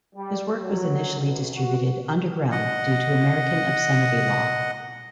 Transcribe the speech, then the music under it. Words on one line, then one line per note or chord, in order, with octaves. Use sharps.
His work was initially distributed underground due to American obscenity law.
G3
F#3
B1
F#4
D#5 F#5